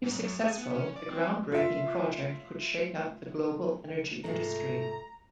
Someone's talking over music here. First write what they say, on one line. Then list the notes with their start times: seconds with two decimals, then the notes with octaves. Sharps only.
If successful, the groundbreaking project could shake up the global energy industry.
0.03 G#2
0.16 F#2
0.40 G#4
0.58 B3
0.75 C#4
0.96 D5
1.10 C4
1.52 F4 E5
4.24 G#2 C3 A3 F4 A#5